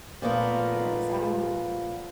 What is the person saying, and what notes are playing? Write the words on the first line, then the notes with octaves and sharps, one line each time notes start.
Yes. I'm
A#2 F3 A3 B3 A#4